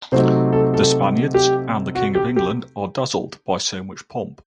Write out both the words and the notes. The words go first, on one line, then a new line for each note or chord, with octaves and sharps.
The Spaniards and the king of England are dazzled by so much pomp.
C3 F#3 A3 C4 D#4 C5
A4
A4
G4
F#4
G4
G4